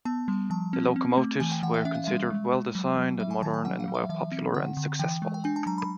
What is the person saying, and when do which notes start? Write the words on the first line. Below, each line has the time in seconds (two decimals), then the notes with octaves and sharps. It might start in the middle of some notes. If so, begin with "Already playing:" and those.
The locomotives were considered well designed and modern, and were popular and successful.
0.05 B3 A5
0.28 G3
0.50 F3 A5
0.73 C4
0.96 C4
1.18 A3
1.40 E3 G#5
1.52 G5
1.63 E3 F#5
1.74 E5
1.85 C#4 E5
1.95 F5
2.04 G3 E5
2.30 G#3
2.53 G#3
2.75 F#3
2.97 F#3
3.20 F#3 E5
3.31 G#5
3.43 D#3 A5
3.54 G#5
3.65 F#3 F#5
3.80 F5
3.88 F#3
3.94 E5
4.09 E3 E5
4.32 C4
4.54 D3 F#5
4.77 D3
4.99 E3 G5
5.22 G#3
5.34 G5
5.44 D4 G#5
5.56 A5
5.66 F#3 A#5
5.78 B5